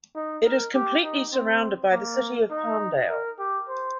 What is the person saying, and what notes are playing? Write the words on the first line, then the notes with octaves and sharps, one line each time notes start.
It is completely surrounded by the City of Palmdale.
D#4
A#4
G4
D#4
C4
A#3
D#4
A#4
G4
C5